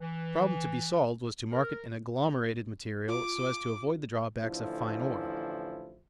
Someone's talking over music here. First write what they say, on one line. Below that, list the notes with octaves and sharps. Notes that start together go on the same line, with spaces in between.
The problem to be solved was to market an agglomerated material so as to avoid the drawbacks of fine ore.
E3
A#4
F4 D6
A1 D3 F3 E4